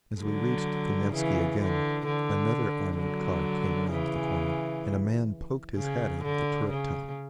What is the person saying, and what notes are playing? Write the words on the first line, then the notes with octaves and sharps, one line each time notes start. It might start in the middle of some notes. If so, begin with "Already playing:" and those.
As we reached the Nevsky again another armoured car came around the corner, and a man poked his head out of the turret-top.
D3 F#3
C#3 E3
D3
D3
D3 F#3
C#3 E3
C#3
D3
C#3